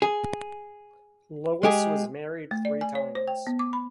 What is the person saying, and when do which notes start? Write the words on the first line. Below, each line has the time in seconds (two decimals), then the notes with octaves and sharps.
Lewis was married three times.
0.02 G#4
1.63 G#3 G4 G#4
2.51 A3
2.65 D5
2.81 G#5
2.95 C#5
3.15 C5
3.28 G5
3.47 B3
3.59 D6
3.73 B5